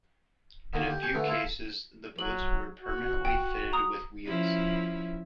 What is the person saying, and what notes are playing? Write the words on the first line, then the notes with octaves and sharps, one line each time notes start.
In a few cases the boats were permanently fitted with wheels.
D3 D#3 A#3
G4
G4 G5 G#5 C#6 D6
D3 E3 A3 B3
E4 F4 A4
F#3 F#7
F#4
G5
A#5 D#6
F3 C#4 E4